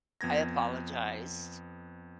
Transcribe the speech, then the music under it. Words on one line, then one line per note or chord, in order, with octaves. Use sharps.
I apologized
F2 B3 G#6 A#6